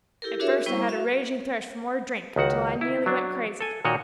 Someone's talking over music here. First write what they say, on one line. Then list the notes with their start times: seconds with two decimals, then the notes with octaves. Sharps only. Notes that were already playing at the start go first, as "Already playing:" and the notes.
At first I had a raging thirst for more drink until I nearly went crazy.
0.22 E4 G4 A4 A#4
0.40 D4 F#4 G#4 A#4 C#5 E5
0.66 G3 B3 E4 C5 C#6
0.88 F#4 E5 F5
2.36 C#2 D#3 F#4 F#5
2.81 E4
3.06 F#3 D4
3.61 A4 G#5
3.85 A#2 D#3 F#4 C#5 D#5